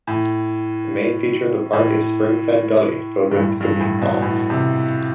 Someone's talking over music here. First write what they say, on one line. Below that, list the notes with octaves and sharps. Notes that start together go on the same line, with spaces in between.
The main feature of the park is spring-fed gully filled with piccabeen palms.
A2
A2
G2
A2
G2
A2
B2
A2
C3